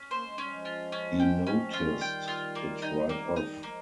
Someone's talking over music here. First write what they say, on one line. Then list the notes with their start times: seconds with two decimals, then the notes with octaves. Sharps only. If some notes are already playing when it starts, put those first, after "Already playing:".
He noticed it right off.
Already playing: C#4
0.11 A#3 C5
0.23 G#3
0.36 G3 C#4
0.49 F3 G#3
0.65 F4
0.92 C#4
1.19 G5
1.47 C#4
1.65 G#3
1.73 D#3 G3 F4
2.01 G5
2.28 F4
2.55 A#3
2.82 D#4
3.09 A#3
3.36 D#3 G3 D#4
3.63 F3 G#3 A#3